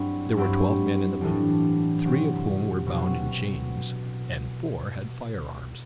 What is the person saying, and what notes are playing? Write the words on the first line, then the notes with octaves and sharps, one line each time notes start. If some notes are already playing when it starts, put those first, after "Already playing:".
There were twelve men in the boat, three of whom were bound in chains, and four had fire arms.
Already playing: G2 F#3 C4 E4
G2 F#3 C4 E4 G4
A2 E3 G3 D4
C3 F#3 C4 G4
B2 F#3 C4 F#4